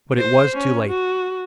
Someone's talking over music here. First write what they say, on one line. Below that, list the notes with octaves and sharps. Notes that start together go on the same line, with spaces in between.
But it was too late.
C5
C#4
F#4